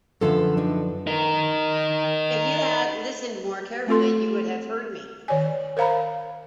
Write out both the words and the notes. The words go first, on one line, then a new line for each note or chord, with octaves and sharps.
If you had listened more carefully, you would have heard me.
F#2 D3 F3 A4 B4 E5
D4 D#4
D#4 A#4
A3 C4 F4 A4 C6
D#3 C#5 D5 G#5
A#4 C5 F5 A#5 B5